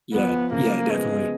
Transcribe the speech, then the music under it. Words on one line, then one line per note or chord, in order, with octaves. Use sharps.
Yeah, yeah, definitely.
F3 B3
C#3 A#3
G#3 B3